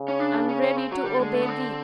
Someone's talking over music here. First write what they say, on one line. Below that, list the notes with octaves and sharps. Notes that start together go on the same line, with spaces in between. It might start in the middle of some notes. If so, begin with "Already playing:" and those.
I am ready to obey thee.
Already playing: C#3
C#4
D4
C#4
C#4
C4
F#3
D3 G3
G#3
A3
B3
C4